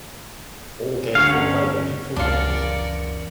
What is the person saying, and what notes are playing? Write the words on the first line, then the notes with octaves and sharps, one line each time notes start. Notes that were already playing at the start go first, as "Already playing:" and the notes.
All games were played at neutral venues.
D2 C#5 F5
G1 C#4 F#5
C#2 F#2 E3 D4 F4 A#4 D5 C#7